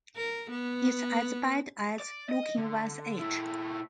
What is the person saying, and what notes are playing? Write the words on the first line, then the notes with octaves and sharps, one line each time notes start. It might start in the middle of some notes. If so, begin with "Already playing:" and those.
It's as bad as looking one's age.
A#4
B3
D5
D#5
D3
A#2 E4